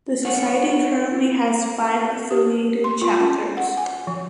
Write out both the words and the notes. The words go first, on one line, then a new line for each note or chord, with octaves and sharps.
The society currently has five affiliated chapters.
A#4 C5 C#5 F#5
G4
C6
F4
C#4
F#5
G#5
F3